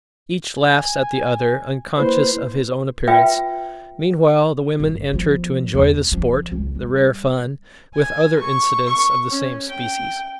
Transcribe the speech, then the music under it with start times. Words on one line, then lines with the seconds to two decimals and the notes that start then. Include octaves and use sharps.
Each laughs at the other, unconscious of his own appearance; meanwhile the women enter to enjoy the sport, "the rare fun," with other incidents of the same species.
0.59 G#5
1.97 A#3 E4 B4 C5
3.07 F4 B4 E5 G5
4.80 G1
5.13 F3 B3
5.74 E2
6.12 F3 C#4
6.51 C#2
6.75 G3
7.94 G#5
8.39 C#6
8.86 C#6
9.30 C#4
9.69 G5